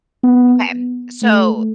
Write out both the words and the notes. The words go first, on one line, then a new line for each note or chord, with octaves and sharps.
okay. So,
B3
A3